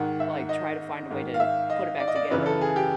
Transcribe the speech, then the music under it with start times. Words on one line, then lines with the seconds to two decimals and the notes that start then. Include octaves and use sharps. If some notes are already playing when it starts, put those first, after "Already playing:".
Like, try to find a way to put it back together,
Already playing: G#2 D#3 F#5
0.20 E5
0.49 D#5
1.10 G#2 D#3
1.34 F5
1.40 E5
1.70 D#5
2.00 D5
2.08 D#5
2.15 D5
2.31 F#2 C#3 E3 B4
2.46 A4
2.61 G#4
2.76 G4